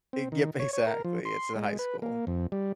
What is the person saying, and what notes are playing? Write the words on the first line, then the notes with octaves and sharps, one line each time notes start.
A g exactly it's in high school.
C4
D#3
C#5
C#5
A#4
F3
C6
G#3
B4
A#3
F2
G3